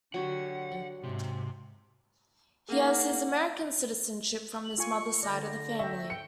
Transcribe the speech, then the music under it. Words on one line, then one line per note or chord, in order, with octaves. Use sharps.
He has American citizenship from his mother's side of the family.
D3 F#3 F#4 G4 F#5
G#2 C3
A#3 D#4 G#4 F#5
F#7
F4 G#5 C#6
D3 D5 A#5 A#6
E5 G5 C#6
G5 C#7